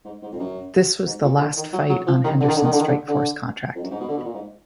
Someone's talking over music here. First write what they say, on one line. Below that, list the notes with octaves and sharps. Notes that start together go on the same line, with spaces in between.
This was the last fight on Henderson's Strikeforce contract.
G#2
G#2
F2
F#2
G#2
A#2
D3
D#3
F#3
F#3
F3
D#3
D3
D#3
D3
D#3
D3
D#3
D3
D3
F2
F#2
G#2
B2
D3
B2
A#2
G#2